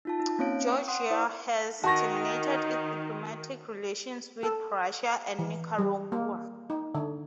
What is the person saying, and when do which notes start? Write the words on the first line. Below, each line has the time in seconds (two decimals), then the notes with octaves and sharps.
Georgia has terminated its diplomatic relations with Russia and Nicaragua.
0.05 D#4 F4 A5
0.20 D#4
0.39 A#3 C4 C#4 C#5 F5 D7
0.67 G5 C#6
0.88 F#5 C6 D#6
1.10 E4 C5 D5 D#6
1.84 D#3 D#4 F#4 A5 C#6 A#6
4.43 A4
5.39 E3
5.78 G3
6.12 A#3
6.70 D#4
6.95 D3